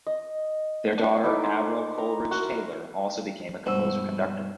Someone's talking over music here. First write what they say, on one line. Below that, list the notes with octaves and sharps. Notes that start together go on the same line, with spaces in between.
Their daughter Avril Coleridge-Taylor also became a composer-conductor.
D#5
D4
D#4 E4 A4 D6
C5
A#5
F#4 A#4
G2 B2 G#3 C5 E6